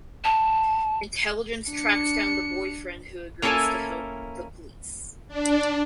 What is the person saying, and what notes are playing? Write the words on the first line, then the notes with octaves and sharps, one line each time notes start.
Intelligence tracks down the boyfriend who agrees to help the police.
A5
D4 C#7
A#3 C#4 E4 A4 G#5 A5
D4